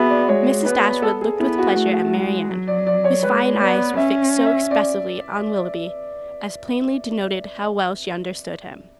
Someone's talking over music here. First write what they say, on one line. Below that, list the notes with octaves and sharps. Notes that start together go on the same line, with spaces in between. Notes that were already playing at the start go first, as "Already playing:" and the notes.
Mrs. Dashwood looked with pleasure at Marianne, whose fine eyes were fixed so expressively on Willoughby, as plainly denoted how well she understood him.
Already playing: B3 F#4 G#4 E5
D5
G#3 C#5
B3 B4
A4
G#4
B3 E4
F#4
A3
G#3
F#3
D5
D5
C#5
G#3 B4
B3 D5
C#4 E5
E5
D5